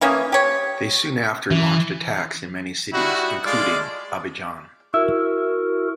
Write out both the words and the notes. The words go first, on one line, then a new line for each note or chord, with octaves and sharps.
They soon after launched attacks in many cities, including Abidjan.
E3 A#3 C#4 G#4
G4 C#5
E3
G3 D#4 E4 F#4
G#3 A3 F4 D5 F5
E4 F#4 A#4